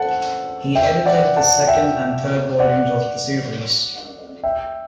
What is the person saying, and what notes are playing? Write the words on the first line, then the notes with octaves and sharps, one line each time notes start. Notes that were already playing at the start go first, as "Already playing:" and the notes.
He edited the second and third volumes of the series.
Already playing: A4 C5 F#5 A5
E5 G5
D5 F#5
F#5 A5
E5 G5
D5 F#5
E5 G5